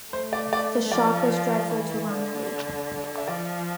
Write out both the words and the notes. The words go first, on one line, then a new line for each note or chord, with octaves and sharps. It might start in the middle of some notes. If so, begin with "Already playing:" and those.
The shock was dreadful to Romilly.
A3 C5
D5
D5
F3 D5
E3
D3
E5
F3 D5